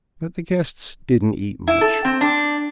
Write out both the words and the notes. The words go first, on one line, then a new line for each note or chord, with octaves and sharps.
But the guests didn't eat much.
E4
A4
C4
D4